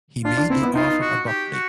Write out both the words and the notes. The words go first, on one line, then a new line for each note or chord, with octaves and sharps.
He made the offer abruptly.
D4 F4
D4
C4 E4
B3
D#4 F4
F#4
G4
F#4